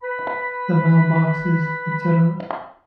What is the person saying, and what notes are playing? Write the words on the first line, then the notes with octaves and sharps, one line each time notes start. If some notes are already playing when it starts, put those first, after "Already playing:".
The Mail Boxes Etc.
B4 B5